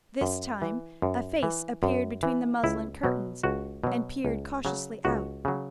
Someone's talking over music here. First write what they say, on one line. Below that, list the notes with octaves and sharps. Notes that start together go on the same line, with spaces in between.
This time a face appeared between the muslin curtains and peered cautiously out.
F#2
E3
F#2
E3
F#2
E3
C#2 E4
B2 F#3
C#2 F#4
B2 F#3
C#2
C#3 F#3
C#2 F#4
C#3 F#3